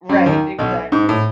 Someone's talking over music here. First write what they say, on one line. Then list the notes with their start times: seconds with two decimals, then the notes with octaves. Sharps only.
Right. Exactly.
0.09 F#2 F#3
0.26 D#2 D#3
0.59 B1 B2
0.92 G#2
1.09 A2